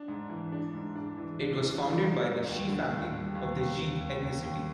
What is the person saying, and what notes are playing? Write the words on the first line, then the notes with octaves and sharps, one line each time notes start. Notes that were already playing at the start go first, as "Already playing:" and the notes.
It was founded by the Shi family of the Jie ethnicity.
Already playing: D4
G#2
E3
D4
G#2
D4
E3
D4
E3
E3
G#2
G#2
D#2
D3
D#2
G3
D#2
D#2
D#2
D#2
D#2
D#2